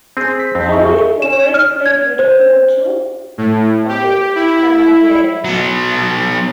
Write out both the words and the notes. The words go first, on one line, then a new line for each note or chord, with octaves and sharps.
Howie Morenz played with Coutu on the Canadiens.
C4 G#4
B6
F2 C4
G#4 E5 C#6
E7
F6
G#6
C5
A2
G4
E4
F#3 B3